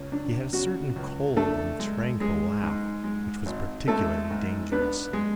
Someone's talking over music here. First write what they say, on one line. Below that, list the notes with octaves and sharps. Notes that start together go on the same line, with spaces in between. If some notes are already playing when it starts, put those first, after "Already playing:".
He had a certain cold and tranquil laugh, which was particularly dangerous.
Already playing: C#2 C#4
D4
C#3 F#4
C#2
A3 D4 A4
G#3
G#3 G#4
G#2
G#3
G#1
G#3 A3 A4
G#2
B3 D4 B4
G#3 G#4